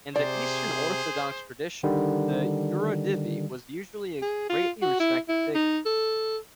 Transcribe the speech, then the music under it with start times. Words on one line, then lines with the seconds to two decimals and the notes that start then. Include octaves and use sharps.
In the Eastern Orthodox tradition the "yurodivy" was usually a greatly respected figure.
0.16 C3 G#4 C5 D5
1.83 D3 D#3 G3
4.22 G#4
4.49 F4
4.82 F#4
5.00 E4
5.29 E4
5.55 D#4
5.86 A4